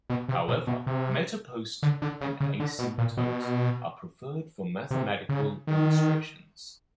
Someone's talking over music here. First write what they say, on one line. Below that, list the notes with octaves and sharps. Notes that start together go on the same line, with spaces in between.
However, MetaPost and Asymptote are preferred for mathematical illustrations.
B2
C3
B2
B2
C3
D3
D3
C#3
C#3
D3
B2
A#2
B2
C3
C#3
D#3